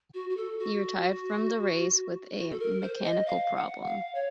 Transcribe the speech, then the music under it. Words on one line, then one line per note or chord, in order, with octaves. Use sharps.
He retired from the race with a mechanical problem.
F#4
F#4
A4
F#4
F#4
A4
A#4
C5
D#5
F5
F#5
F5
C#5